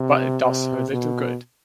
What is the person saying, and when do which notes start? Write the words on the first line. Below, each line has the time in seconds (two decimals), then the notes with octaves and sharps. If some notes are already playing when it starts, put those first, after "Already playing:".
But it does her little good.
Already playing: C3
0.43 C3
0.92 B2